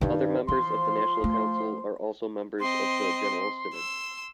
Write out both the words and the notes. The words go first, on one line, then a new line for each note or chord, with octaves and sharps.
Other members of the national council are also members of the general synod.
G2 D#3 D#4
E3 F3 C6
A3
C4 D#5 C6
C6 E6